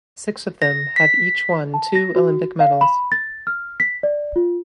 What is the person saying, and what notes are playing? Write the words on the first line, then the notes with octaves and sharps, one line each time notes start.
Six of them have each won two Olympic medals.
A#6
B6
A5
A#6
F#4
F5
B5
A6
F6
B6
D5
F4